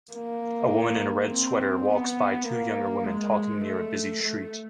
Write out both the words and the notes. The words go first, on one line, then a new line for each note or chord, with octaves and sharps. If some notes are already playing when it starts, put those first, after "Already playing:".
A woman in a red sweater walks by two younger women talking near a busy street.
A#3
C4
B3
A#3
G#3
A3
A3